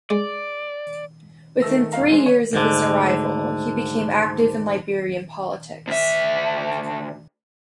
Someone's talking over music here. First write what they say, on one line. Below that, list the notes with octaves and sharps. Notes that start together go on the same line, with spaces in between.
Within three years of his arrival, he became active in Liberian politics.
G#3 D5
D#3 A3 E6 A#6
E1 F2 D#4 F5 A#5
E3 G#3 C5
B4 C#5
D2 G#2 D3
D2 E5